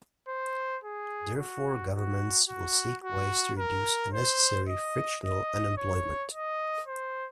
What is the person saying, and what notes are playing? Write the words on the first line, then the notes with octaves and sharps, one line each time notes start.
Therefore, governments will seek ways to reduce unnecessary frictional unemployment.
C5
G#4
F#4
F#4
F#4
F#4
A#4
C5
D#5
D#5
C#5
D#5
C5